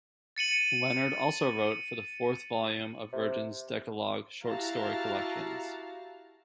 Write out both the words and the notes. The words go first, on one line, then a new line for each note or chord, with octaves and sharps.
Leonard also wrote for the fourth volume of Virgin's Decalog short story collections.
A6 C#7 D#7 F#7
C3
E4 F#4 G4 F5 A5 A#5